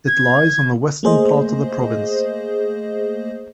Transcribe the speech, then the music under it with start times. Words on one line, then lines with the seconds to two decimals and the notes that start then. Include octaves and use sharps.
It lies on the western part of the province.
0.07 G#6
1.03 A3 A#3 G#4 C5 D#5